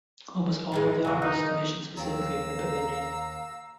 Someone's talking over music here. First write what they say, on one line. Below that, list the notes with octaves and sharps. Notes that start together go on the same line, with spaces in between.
Almost all of the art was commissioned specifically for the pavilion.
D#3 E3 G#3
E2 C#3 F#4
D#3 D#4
D#2 F5 G5 A#5 E6